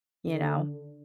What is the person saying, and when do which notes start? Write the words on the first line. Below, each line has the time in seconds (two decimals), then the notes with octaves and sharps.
You know?
0.28 D3